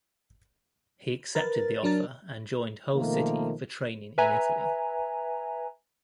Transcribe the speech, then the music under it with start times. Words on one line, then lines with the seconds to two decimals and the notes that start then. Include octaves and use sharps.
He accepted the offer and joined Hull City for training in Italy.
1.35 A#4 B4 A6
1.83 F#3 D4 A#4 A6
2.95 B2 D#3 F3 A3 A#3
4.18 B4 E5 G#5 A#5